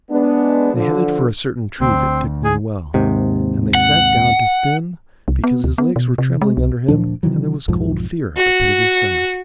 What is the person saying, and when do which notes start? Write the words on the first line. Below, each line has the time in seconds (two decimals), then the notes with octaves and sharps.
They headed for a certain tree that Dick knew well, and they sat down to thin, because his legs were trembling under him and there was cold fear at the pit of his stomach.
0.11 G#3 B3 D4
0.74 D3 F3
1.81 D2 C4
2.45 G#4
2.94 D#2 G#2 C3
3.75 F#5
5.28 C2
5.44 B3
5.64 D2
5.78 B3
5.96 B2
6.18 C3
6.42 G#3
6.57 C2
6.88 D2 A#2 F3 D4
7.23 C3 D#3 E3 F#3
7.68 B1 F2 G#2 F3
8.37 F#4